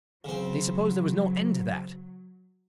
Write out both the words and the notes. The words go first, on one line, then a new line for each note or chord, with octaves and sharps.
They supposed there was no end to that.
C#3 F#3 C4